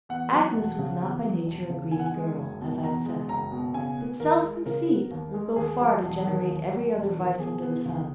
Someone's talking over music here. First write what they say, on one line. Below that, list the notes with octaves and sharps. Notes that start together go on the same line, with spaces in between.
Agnes was not by nature a greedy girl, as I have said; but self-conceit will go far to generate every other vice under the sun.
E2 F#5
F#3
E1
C#3
E2
F#3
E1
C#3
E2 G#5
F#5
G#5
G#3
F#1
B2
E2 A#5
G#3
F#1 A#5
B2
C#3 G#5
B3
D#2 A#4
G#3
C#3 A#4
B3
D#2
G#3
D#2 G#4
F#3
E1
D#3
D#2
F#3
E1
D#3
B2 G#4
B3
C#2